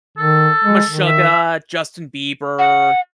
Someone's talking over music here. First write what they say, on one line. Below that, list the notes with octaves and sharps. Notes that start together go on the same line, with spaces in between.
Meshuggah, Justin Bieber,
D#3 A4
G#3
D#3
E5
F#5